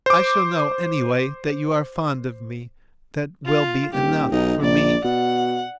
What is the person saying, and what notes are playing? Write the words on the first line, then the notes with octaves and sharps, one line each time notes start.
I shall know, anyway, that you are fond of me, that will be enough for me.
C5 D6
F4
D#1 G4
B1 D#4
A#1 D5
B2 F#5